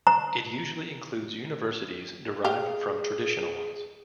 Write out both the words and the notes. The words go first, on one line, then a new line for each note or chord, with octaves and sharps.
It usually includes universities derived from traditional ones.
A#5
G4 G#4 F5